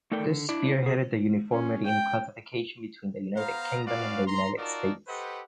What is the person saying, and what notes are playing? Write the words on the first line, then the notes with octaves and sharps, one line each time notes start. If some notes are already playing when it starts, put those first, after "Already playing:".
This spearheaded the uniformity in classification between the United Kingdom and the United States.
A3 D#4 A4 A#4 D5 G5
D3
D4 E4 D5
B2 G#4
C#4
G5
B3 C5 F5 A#5
C#4 F#4 B4 D5 F5
A#5 C6
D#4 F4 F#4 A#4 D5 A5
G4 A4 B4 C5 D#5 F#5